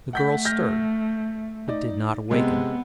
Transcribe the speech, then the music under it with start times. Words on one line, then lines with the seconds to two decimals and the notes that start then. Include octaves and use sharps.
The girl stirred, but did not awaken.
0.13 A3 F#5 G6 B6
0.45 F6 G6 A#6
1.68 D#4 D5
2.31 C3 G#3 B3